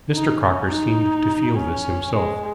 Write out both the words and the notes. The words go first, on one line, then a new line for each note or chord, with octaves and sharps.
Mr. Crocker seemed to feel this himself.
D#4
C#4
D#4
C#4
G#3